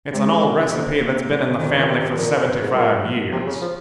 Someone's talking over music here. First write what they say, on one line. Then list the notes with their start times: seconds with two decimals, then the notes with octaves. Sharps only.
It's an old recipe that's been in the family for seventy-five years.
0.13 C3 G#3
0.27 C#3
0.37 G#2
0.42 A#2
0.57 G2
0.71 F2 A#3
1.00 A#3
1.29 G2 G3
1.44 G2
1.58 F2 D#3
1.68 G2
1.78 A#2
1.87 C3
2.01 C3
2.16 A#2 F3
2.35 F2
2.48 G2
2.62 G#2
2.74 A#2 G3
3.02 F3
3.31 C3 F3
3.47 C#3
3.62 F3